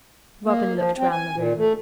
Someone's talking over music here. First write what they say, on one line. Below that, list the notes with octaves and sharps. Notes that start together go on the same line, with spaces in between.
Robin looked round the room.
A#3
F3
C4
G#5
A#2
A3